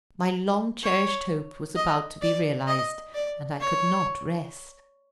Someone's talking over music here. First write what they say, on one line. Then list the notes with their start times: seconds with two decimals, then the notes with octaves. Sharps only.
My long-cherished hope was about to be realized, and I could not rest.
0.83 C#5
1.76 D#5
2.22 D5
2.67 D#5
3.15 D5
3.60 C#5